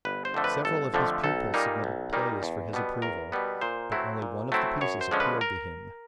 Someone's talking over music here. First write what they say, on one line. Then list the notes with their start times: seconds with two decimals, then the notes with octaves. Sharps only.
Several of his pupils submitted plays for his approval, but only one of the pieces appealed to him.
0.05 G1 B4
0.25 C5
0.34 F2 D3 F3 A3
0.44 B4
0.65 G1 A4
0.94 F2 D3 F3 A3
1.24 B1 A4
1.54 A#2 G3 A#3 D#4
1.84 B1
2.13 A#2 G3 A#3 D#4
2.43 E2
2.73 B2 G3 B3
3.02 E2 A#4
3.32 B2 G3 B3
3.61 A#2 C5
3.92 F#3 A3 C4 E4
4.22 A#2
4.52 F#3 A3 C4 E4
4.81 F#2 C#5
5.01 C5
5.11 D3 F3 G#3 C#4
5.20 B4
5.41 A#4